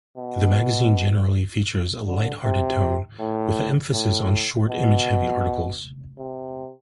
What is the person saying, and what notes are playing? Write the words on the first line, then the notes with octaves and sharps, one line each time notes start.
The magazine generally features a light-hearted tone, with an emphasis on short, image-heavy articles.
B2
D3
C3
A2
A2
B2
C3